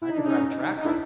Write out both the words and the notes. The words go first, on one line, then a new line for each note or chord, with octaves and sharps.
"I can drive a tractor."
E4
D#4
D4
C#4 D#4
D#4
D4 E4